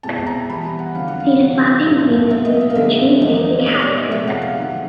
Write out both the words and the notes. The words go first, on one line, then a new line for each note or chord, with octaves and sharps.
These flapping wings move through two basic half-strokes.
B2 G#3 C4 E4 A5
A#5
E3 G3 B3 B5
F#5
F2 D3 F#3 F5
F#5
F5
C3 E3 G3
A2 F#3 A3
B2 F#3 B3 E5
D#5
E5
F5
D3 F3 G#3 B3 D#4 E5
E2 C#3 F3 A#3 D#5
A#2 G3 B3 D#4 C#5
D5
E5
C3 F3 G#3 E5
F#5
F5
G#2 D#3 F#3 A3 C4 F#5